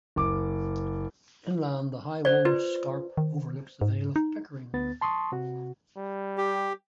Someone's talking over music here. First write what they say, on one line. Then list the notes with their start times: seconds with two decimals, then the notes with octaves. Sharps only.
Inland the high Wolds scarp overlooks the Vale of Pickering.
0.16 F#1 D6
2.25 C5 D5
2.45 F4 B4
3.17 D#3
3.81 G#2
4.16 D#4
4.74 D2 B3 A6
5.01 A5 C6 C#6 D#6
5.32 C3 F#4
5.97 G3
6.37 G4